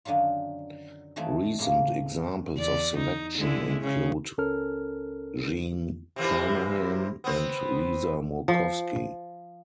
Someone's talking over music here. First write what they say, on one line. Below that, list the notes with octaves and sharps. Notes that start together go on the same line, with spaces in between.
Recent examples of selection include Jean Carnahan and Lisa Murkowski.
F#2 D3 D#3 F#3 F4
D#3 E3 F#3 A3 C4
A2 C3 G#3 A#3
E2 D5
D#4
D3 G#3 E4
C#3
C#2 C#4 A4 A#4 F6
C3 E3 A#3
B3 C4
F3